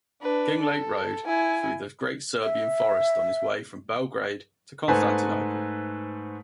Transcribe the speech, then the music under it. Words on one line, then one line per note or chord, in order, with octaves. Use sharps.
Kinglake rode through the great Serbian forest on his way from Belgrade to Constantinople.
D4 B4
A4
E4 G#5
E5
G#2 A3 B4 C5 G#5